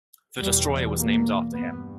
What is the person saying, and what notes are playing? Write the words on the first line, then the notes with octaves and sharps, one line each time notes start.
The destroyer was named after him.
E2 B2 G3
A#3
G2 B3